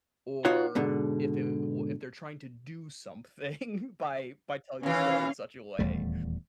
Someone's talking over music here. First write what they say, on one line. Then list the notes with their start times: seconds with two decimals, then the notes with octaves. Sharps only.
or if it wa if they're trying to do something by by telling the story in such a way.
0.45 D#4 F4 F#4 C#5 F#5
0.75 G#2 B2 D3
4.83 D#2 E3 C#4 F5
5.79 D#1 E2 G3 A3